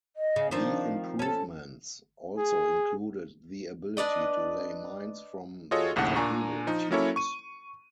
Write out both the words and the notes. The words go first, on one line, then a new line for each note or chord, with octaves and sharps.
The improvements also included the ability to lay mines from the torpedo tubes.
D#5
C#3
D#3 F3 C4 D4
C#4 A4 A5
G#4
D4 B4 D5 D#5
F4 F#4 G#4 A4 C#5 D#5
A#1 D#2 A2 C#3 F#5
A#2 D4 G#5 A#5 C#6
F3 D#4
F#3 A#3 C#4 E4 A4 C#5
C#6 D#7